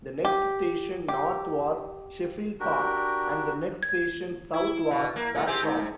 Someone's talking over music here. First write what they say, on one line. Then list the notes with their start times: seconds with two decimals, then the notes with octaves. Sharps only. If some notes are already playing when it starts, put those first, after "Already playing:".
The next station north was Sheffield Park and the next station south was Barcombe.
0.25 G4
1.08 G4
2.60 D4 F#4 G4 A#4
3.83 G#6
4.54 E4
4.91 B2
5.16 A#3
5.35 A#2 A3
5.47 C4 G4 G#4
5.62 G#2